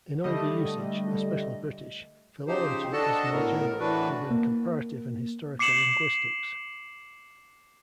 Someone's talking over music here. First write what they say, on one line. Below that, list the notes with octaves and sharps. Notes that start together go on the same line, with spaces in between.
In older usage, especially British, philology is more general, covering comparative and historical linguistics.
D3 G3 A3 D#5
C#3 F3 D#4 G4 C5
D4 F#4 A4 D#5 F#5 A5
A2 B3 A#4
A2 E3 D4 F#4 B4
A#3
D6 C7 C#7 E7 F#7